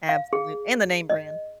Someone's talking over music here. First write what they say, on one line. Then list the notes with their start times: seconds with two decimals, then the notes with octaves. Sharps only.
absolute and the name-brand.
0.09 F5
0.33 G#4
1.10 D#5